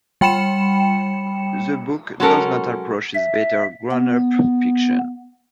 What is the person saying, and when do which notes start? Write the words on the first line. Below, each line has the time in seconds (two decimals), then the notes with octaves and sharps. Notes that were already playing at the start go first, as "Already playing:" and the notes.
The book does not approach his better grownup fiction.
0.21 G3 G5 B5 C#7 E7
2.20 F#3 G#3 C#4 A4 A#4
3.15 E5
3.91 B3